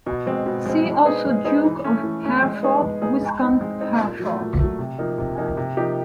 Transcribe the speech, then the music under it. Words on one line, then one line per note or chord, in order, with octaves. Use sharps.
See also Duke of Hereford, Viscount Hereford.
B2
G#3 C4
B2
G#3 C4
G#3
B3 D#4 G#4 C5
G#3
B3 D#4 G#4 C5
E3
A3 C#4
E3
A3 C#4
G#3
B3 D#4 G#4
G#3
B3 D#4 G#4
G#3
C4 D#4
G#3
C4 D#4
A#2
F#3 A3
A#2
F#3 A3
C3
F3 A#3 D#4
C3
F3 A#3 D#4
C3
F3 A#3 D#4 G4